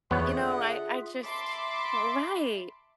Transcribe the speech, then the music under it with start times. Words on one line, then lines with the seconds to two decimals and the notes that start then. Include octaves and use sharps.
You know, I I just Right.
0.11 E2 D3 B3 F4 G#4 C#5 E5 F#5
1.24 E5 A5 B5 C6 D6